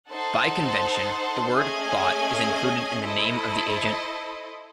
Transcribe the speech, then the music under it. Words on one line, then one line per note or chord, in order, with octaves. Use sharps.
By convention the word "bot" is included in the name of the agent.
D#4 A4 C5 F#5 A5
A3 C#4 G#4 D#5 G#5
E4 A4 C5 D#5